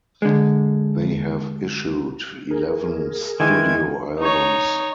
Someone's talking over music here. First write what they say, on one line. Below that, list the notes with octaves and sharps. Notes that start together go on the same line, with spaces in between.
They have issued eleven studio albums.
D3 G#3
G#4 A#4
D#3 E3 G#3 G#6
D#4 C#5